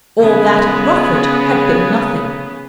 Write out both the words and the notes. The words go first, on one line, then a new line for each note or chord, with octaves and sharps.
All that at Rufford had been nothing.
C#3 B3